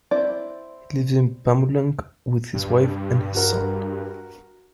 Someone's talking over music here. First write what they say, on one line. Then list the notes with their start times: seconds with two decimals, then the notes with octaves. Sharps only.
He lives in Pamulang with his wife and his son.
0.11 C4 E4 D5
2.54 G2
3.35 F#4 A#4